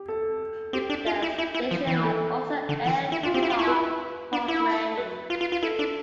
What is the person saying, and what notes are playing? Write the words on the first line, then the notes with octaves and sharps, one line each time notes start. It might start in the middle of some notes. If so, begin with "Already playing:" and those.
The station will also air talk programming.
Already playing: G4
A4
C4 G4
D4
F4
E4
E4
E4
F3
E3
A4
D3
E3
E4
D4 F4
C4 G4
E4
F4
E4
B4
D4
E4
B4
F4
F4
F4
E4 A4
D4